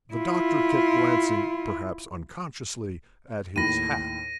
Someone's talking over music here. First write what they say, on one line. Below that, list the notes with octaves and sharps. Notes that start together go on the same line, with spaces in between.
The doctor kept glancing, perhaps unconsciously, at his hat.
E4 F4
D#2 A2 B5 A#6 D#7